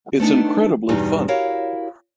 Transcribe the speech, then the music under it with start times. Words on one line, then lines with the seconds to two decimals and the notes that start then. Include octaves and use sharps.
It’s incredibly funny.
0.20 A3 B3 D4 D#4
0.89 E2 G2 B2 G3 D4 D#4
1.28 E4 F#4 G4 A#4 C#5 F5